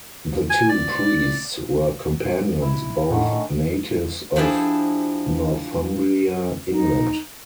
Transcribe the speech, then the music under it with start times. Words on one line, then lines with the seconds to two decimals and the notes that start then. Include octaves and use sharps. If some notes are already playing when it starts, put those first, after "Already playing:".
The two priests were companions, both natives of Northumbria, England.
0.50 G#5
0.69 D5
2.62 E4
3.10 A2 D3 D#3 C#4
4.36 F3 D4 E4 G4 G#4 A5
6.70 D#4